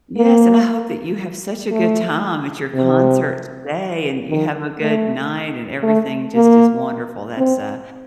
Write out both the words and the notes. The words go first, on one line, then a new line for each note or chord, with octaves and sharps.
Yes, and I hope that you have such a good time at your concert today, and you have a good night, and everything just is wonderful, that's, uh,
A#3
A3
C3
D#3
A3
A3
A#3
C4